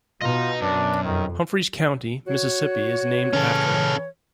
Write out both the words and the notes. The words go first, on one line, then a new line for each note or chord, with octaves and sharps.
Humphreys County, Mississippi, is named after him.
B2 F4 D#5 A#5
F#2 D4
F2 D#3
F#4 C#5
C#3 E3 C#4 A4 F6